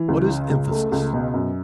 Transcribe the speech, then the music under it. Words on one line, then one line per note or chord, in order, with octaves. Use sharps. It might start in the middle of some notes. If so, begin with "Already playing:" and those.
What is emphasis?
Already playing: E3
C#2
C#3
C#2
A3
C#2
B2
F#2